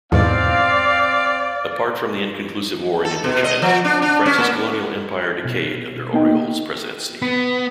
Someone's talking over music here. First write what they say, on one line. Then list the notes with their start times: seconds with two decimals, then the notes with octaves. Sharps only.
Apart from the inconclusive war in Indochina, France's colonial empire decayed under Auriol's presidency.
0.12 E2 G#2 B2 C4 D5 F5
3.05 A4
3.24 B2
3.44 D#5
3.62 F3
3.85 D4
4.02 D4
4.26 C#4
4.38 A#3
5.45 B2
6.13 A#3 B3 D#4 D#5 G5
7.22 B3